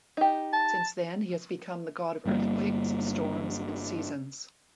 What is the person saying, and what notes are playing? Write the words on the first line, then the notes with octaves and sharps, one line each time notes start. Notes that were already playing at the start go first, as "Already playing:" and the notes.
Since then he has become the god of earthquakes, storms and seasons.
D#4 G4
A5
G1 G3 A#3